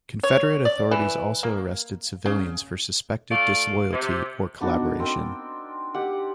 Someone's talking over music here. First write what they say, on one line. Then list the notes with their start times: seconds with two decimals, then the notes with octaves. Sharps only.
Confederate authorities also arrested civilians for suspected disloyalty or collaboration.
0.23 C#5
0.65 D5
0.91 E3
1.43 A#3
2.26 C#3
3.31 A3 F4 D5 F5
3.93 C3
4.61 B3 D4 D#4 F#4
5.00 C4 A#4 G5
5.94 G4 F#5